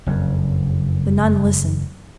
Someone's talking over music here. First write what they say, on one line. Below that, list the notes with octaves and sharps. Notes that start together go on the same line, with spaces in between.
The nun listened.
F#1 F2